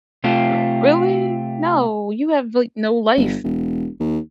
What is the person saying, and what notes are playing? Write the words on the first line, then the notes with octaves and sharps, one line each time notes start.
r really? No, you have, like, no life.
C3 A3 C4 F4
G1
E1
D#2